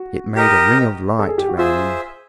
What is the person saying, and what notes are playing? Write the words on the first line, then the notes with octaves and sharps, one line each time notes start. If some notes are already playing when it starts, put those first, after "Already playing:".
It made a ring of light round them.
Already playing: F#4
G4 A#4 D#5
A4
G#4
G4
F#4
F4 G#4 C5 E5